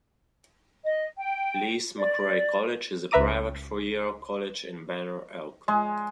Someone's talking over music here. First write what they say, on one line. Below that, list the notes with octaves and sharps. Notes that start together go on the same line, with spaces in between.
Lees-McRae College is a private four-year college in Banner Elk.
D#5
G5
D5
C#2 B4 E5 A#5 D6 D#7
G#3